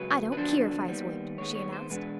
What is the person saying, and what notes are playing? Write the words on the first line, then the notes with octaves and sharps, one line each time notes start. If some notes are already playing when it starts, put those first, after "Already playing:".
"I don't keer if I is whipped," she announced.
Already playing: C#2 C#3 F#3 B4
B4
F2 D3 F#3 B3 D4 C5
D#2 D#3 G3 B3
D#2 D#3 G#3 B3 C#5
C#5
C5
E2 B2 G#3 B3 D4 B4